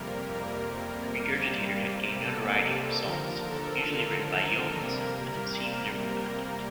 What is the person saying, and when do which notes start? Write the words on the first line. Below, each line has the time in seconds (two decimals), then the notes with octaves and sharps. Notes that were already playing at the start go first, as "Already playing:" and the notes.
Regurgitator had gained notoriety for songs, usually written by Yeomans, with obscene lyrical content.
Already playing: F2 C3 G3 A#3 A#4
1.33 C3 G3 A#3
2.19 A4
2.62 A4
3.05 D#2 D3 F3 A#4
3.49 A4
3.92 A#4
4.35 A#4
4.78 C3 G3 A#3 A#4